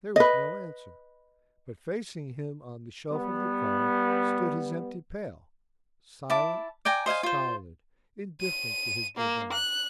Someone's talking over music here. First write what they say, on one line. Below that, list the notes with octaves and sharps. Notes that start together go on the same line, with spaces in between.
There was no answer; but facing him on the shelf of the car stood his empty pail, silent, stolid, indifferent to his bravado.
B4 D#5
G3 B3
E4 A5 D6
D5 G5 G#5 A#5
C5 D#5 F5 G#5
F4 C5
D#7
A#3
F#6